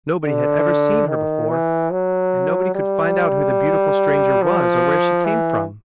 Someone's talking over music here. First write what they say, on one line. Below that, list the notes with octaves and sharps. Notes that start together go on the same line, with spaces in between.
Nobody had ever seen her before and nobody could find out who the beautiful stranger was or where she came from.
D3
D#3
E3
F#3
G3
F3
E3